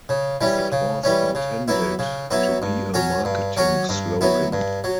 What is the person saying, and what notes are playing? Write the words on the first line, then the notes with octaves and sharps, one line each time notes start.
It was intended to be a marketing slogan.
C#3
E3 G3 C#4
C#3
E3 G3 C#4
C#3
F#3 B3 E4
C#3
F#3 B3 E4
G2
F#3 C#4 F#4
G2
F#3 C#4 F#4
G2
F#3 B3 E4
G2
F#3